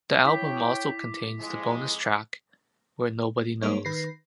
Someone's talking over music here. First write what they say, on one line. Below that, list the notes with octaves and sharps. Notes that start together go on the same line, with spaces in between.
The album also contains the bonus track "Where Nobody Knows".
E4 C#5 G5 D6 B6
F2 G#3
G3 G#3 A#3 D#4 C#5
D#3 B4 A#6 C7